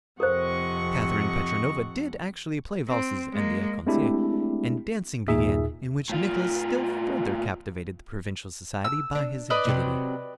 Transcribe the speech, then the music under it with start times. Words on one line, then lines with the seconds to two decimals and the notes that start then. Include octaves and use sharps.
Catherine Petrovna did actually play valses and the ecossaise, and dancing began in which Nicholas still further captivated the provincial society by his agility.
0.20 F2 C3 A4 A#4 C5 D#5 F#5 C#6
2.88 C4
3.32 G#3 A#3
3.87 G#3 A3 C4 D4 E4 G4
5.28 D#2 A#2 D#4 G#4 E5 D#6
6.10 A2 F4
8.85 E6
9.15 D4
9.50 B4 D5 D#5
9.65 C3 F#3 C4